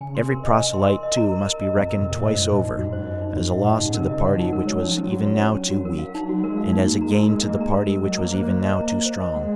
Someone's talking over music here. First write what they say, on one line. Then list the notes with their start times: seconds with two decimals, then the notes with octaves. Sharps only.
Every proselyte too must be reckoned twice over, as a loss to the party which was even now too weak, and as a gain to the party which was even now too strong.
0.01 C#3 G#5
0.15 C6
0.20 C3
0.30 A#4
0.44 D#5
0.59 G#5
0.73 C6
0.88 A#4
1.03 D#5
1.17 A#5
1.32 A#4
1.47 A#4
1.61 D#5
1.76 F2 A#5
1.90 A#4
2.02 C3 A#4
2.12 A#2
2.20 G#2 D#5
2.34 F#2 C5
2.48 A#2 D#5
2.63 D#4
2.78 F#2 F#4
2.86 G#2
2.93 F#2 C5
3.07 D#5
3.21 D#4
3.36 F#4
3.51 G#2 D#5
3.60 A#2
3.66 G#2 F#5
3.80 C3 D#4
3.89 C#3
3.94 C3 A#4
4.09 C#3 D#5
4.24 C3 F#5
4.35 F3
4.39 F#3 D#4
4.53 G#3 A#4
4.67 F#3 C#5
4.83 F3 C#4
4.97 C#4
5.07 F#3 F#4
5.26 C#5
5.42 C#4
5.55 C#4
5.70 F#4
5.85 A#4
5.99 F5
6.14 D#4
6.29 F#3 F#4
6.43 G#3 A#4
6.57 F5
6.72 A#3 D#4
6.88 F#4
6.94 A#3
7.01 G#3 A#5
7.17 G#3 A#4
7.31 A#4
7.40 A#3 D#5
7.60 G#3 A#5
7.74 A#4
7.89 G#3 A#4
8.04 F#3 D#5
8.18 A#3 A#5
8.34 C5
8.48 C5
8.62 D#5
8.76 A#5
8.92 C5
9.06 C5
9.20 D#5
9.35 G#3 F#5